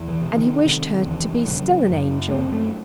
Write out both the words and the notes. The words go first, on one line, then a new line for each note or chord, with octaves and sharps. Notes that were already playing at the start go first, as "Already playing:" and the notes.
And he wished her to be still an angel.
Already playing: E2
E3
C3
D#3
C3
E2
C#3 F#3
F#2
A3
F#2 C4
A3